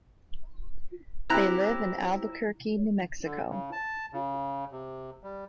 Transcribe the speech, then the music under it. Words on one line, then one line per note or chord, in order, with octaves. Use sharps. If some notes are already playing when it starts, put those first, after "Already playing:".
They live in Albuquerque, New Mexico.
C4 E4 G4 A#5 F#6
D3
C#3
A5
C#3
C3
G3